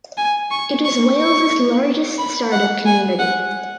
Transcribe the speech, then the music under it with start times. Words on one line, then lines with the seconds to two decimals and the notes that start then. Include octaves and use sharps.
It is Wales’s largest startup community.
0.18 G#5
0.51 C#6
0.85 C#6
1.18 C#6
2.19 B5
2.52 F#5
2.86 G#5
3.19 F#5